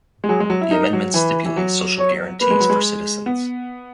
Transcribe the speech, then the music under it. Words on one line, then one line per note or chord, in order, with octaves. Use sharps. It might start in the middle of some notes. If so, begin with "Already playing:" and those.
The amendments stipulate social guarantees for citizens.
G#3
F#3 G#4
G#3
F#3
E4
D#4 A#4
F#3
E3 B4
E3
F#3
C#5
A#3 B4
G#3
F#3
G#3
B3